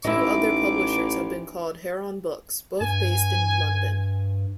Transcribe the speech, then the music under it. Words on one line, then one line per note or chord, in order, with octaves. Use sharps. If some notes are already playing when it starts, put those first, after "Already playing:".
Two other publishers have been called Heron Books, both based in London.
A1 D#4 E4 D6
G2 G#5